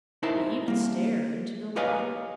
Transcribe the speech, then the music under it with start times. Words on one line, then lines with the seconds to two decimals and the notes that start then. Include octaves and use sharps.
He even stared into the water.
0.23 D#4 E4 A#4 C5 E5 A5
0.68 G3 A#3
1.76 G4 B4 C#5 D#5 F5 G#5